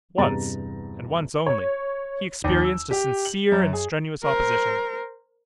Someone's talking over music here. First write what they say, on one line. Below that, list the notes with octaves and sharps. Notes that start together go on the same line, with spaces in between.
Once, and once only, he experienced a sincere and strenuous opposition.
E2 G2 C3 A#5 A6
C#5
D#2
E6
G4
F#7
F#2
G#4
A#4 C5